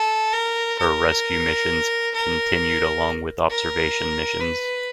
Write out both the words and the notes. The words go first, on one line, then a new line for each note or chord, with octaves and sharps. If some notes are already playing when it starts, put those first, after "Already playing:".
Her rescue missions continued along with observation missions.
Already playing: A4
A#4
A#4
A#4
A#4
B4